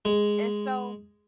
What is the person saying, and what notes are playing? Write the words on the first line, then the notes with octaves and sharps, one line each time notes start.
And so
G#3